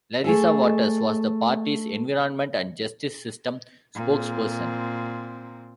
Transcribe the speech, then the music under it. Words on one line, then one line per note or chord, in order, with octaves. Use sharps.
Larissa Waters was the party's environment and justice system spokesperson.
A3 G#4 A4
A#2 C4